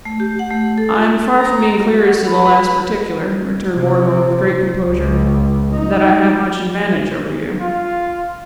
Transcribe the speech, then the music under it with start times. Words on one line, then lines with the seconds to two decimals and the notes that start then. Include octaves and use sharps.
'I am far from being clear as to the last particular,' returned Mortimer, with great composure, 'that I have much advantage over you.'
0.05 A3
0.20 G4
0.39 F#5
0.50 A3
0.78 A4
0.96 F4
1.35 A#5
1.83 F#4
2.27 B4
3.76 C3
4.86 C#2
5.73 D#4
7.61 F4